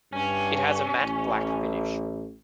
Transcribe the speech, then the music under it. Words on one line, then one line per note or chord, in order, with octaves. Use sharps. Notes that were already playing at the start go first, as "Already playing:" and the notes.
It has a matte black finish.
G2 C#4
A1